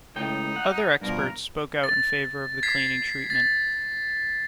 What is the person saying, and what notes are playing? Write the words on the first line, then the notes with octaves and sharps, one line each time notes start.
Other experts spoke out in favour of the cleaning treatment.
C#2 A2 D#4 G5
F#5
G2 B2 F3 A#4
A6
G#6 B6 C7
A6